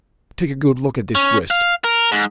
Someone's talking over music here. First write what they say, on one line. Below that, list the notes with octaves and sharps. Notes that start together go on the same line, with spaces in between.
Take a good look at this wrist.
C#4
F5
A#4
G#2